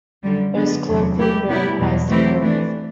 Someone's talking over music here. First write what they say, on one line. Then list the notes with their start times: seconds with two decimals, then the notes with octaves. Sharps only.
It is colloquially known as "The Cove".
0.23 F#2 D3 G3
0.55 D3 F#3 B3
0.85 E2 C3 F#3
1.16 E3 A3 E4 G4
1.48 C3 G3 B3 E4 G4
1.79 E2 B2 F#3
2.09 E3 A3 C4 E4 G4
2.41 E3 A3 D4